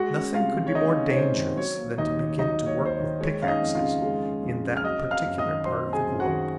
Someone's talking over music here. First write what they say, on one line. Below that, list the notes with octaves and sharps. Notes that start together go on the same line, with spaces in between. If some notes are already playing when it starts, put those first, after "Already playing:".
Nothing could be more dangerous than to begin to work with pickaxes in that particular part of the globe.
Already playing: G#3 F#4 F#5
C#4
C3 F4 F5
D#3
C#5
G#3 D#4 D#5
C#4
C#5
C3 C5
D#3
F#3 C#5
A#3
D#2 D#4 D#5
D#3
F#3 D#4 D#5
A#3
C#5
D#2
C5
C#5
D#3
G#3 C#5
C#4 F5
D#4 D#5
F2
F4 F5
C#3
G#3
C#4
F2
C#3
F6
F#3 D#5 D#6
C4
F5 F6
F#2
D#5 D#6
D#3
F#3 C5 C6
C4
G#4 G#5
F#2
F#4 F#5
D#3